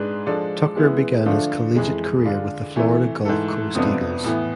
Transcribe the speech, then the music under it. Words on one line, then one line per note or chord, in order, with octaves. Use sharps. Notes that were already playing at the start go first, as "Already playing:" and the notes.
Tucker began his collegiate career with the Florida Gulf Coast Eagles.
Already playing: G#2 G#3 D4 G#4 B4
F3 G#3 D4 A4 D5
E3 G#3 B3 E4
D3 F3 A3 D4 F4
F2 E3 G#3
D3 G#3 D4 F4
C3 E3 A3 E4
G#2 E3 A3 E4 A4
F2 C3 F3 B3 D4
A2 E3 B3